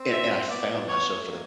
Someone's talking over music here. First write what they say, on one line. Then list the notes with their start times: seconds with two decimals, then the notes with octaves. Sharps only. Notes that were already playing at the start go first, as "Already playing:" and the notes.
and and I found myself at a
Already playing: C4
0.11 E5
0.49 B3 D5
0.89 C#5
1.18 A3
1.27 A#3